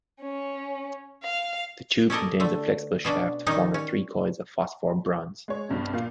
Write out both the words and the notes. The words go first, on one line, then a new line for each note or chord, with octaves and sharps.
The tube contains a flexible shaft formed of three coils of phosphor bronz.
C#4
F5
C#4 E4 G4 A4 A#4 D#5
D3 A3
B2 C#4 D4 B4
D#3 G3 C#4 D#4
C#4
G#3 C#5
B1 G2 C3
A#2 F5